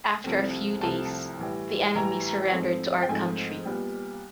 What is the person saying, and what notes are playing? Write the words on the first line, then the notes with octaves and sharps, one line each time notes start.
After a few days the enemy surrendered to our country.
C2 C3 F3 A3 C4
C2 C3 F3 A3 C4 A5
A2 E3 G3
A2 E3 G3 A#5
G#2 F3 A3 C4
G5
G#2 F3 A3 C4 G#5
A#2 G3 B3